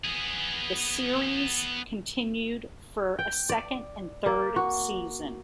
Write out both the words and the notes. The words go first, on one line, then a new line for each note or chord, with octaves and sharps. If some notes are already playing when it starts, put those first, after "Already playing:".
The series continued for a second and third season.
B3 G#4
G5
D5
A#3
F#4